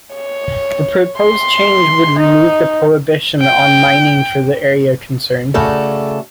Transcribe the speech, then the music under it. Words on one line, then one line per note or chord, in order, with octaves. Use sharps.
The proposed change would remove the prohibition on mining for the area concerned.
C#5
C6
D#4
G5
C#3 A3 F#4 A4 D5